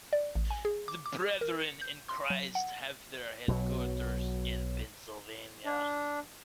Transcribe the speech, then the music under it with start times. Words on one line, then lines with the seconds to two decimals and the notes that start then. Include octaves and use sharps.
The Brethren in Christ have their headquarters in Pennsylvania.
0.13 D5
0.35 A1
0.51 G#5
0.65 G#4
0.88 D6
1.06 D6
1.41 A#4
1.61 C#7
1.82 G6
2.09 C6
2.30 F#3
2.55 F#5
3.48 B1 B2 F3 F#3
5.66 D4